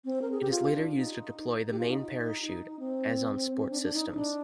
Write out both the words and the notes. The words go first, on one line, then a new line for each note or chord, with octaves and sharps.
It is later used to deploy the main parachute as on sports systems.
C4
A#4
G#4
G4
F4
D4
D#4
G4
F4
D#4
C4
D4
D4
D#4
D#4
D4